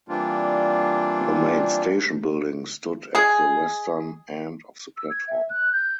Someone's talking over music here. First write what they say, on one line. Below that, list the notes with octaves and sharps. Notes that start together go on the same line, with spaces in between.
The main station building stood at the western end of the platform.
E3 G3 A#3 C4 D4 F4
G#3 G#4
E6
G#6
E5
F#6
G6